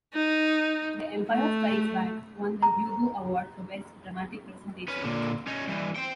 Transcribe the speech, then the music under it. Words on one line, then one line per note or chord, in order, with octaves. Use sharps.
"The Empire Strikes Back" won the Hugo Award for Best Dramatic Presentation.
D#4
A3
A#5
B3 C#4
A#2 D3
C#4 D#4
G2 E3
C5 G5